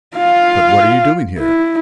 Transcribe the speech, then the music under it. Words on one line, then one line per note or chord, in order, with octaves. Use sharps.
"But what are you doing here?"
F4 F5
E4